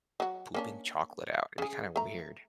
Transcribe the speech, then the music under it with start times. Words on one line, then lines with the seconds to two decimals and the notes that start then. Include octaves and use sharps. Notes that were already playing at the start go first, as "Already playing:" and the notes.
pooping chocolate out? It'd be kinda weird.
0.20 F#3 F#4
0.54 A#3 C#4 D4
1.58 C#3 G#4
1.96 A3 A#5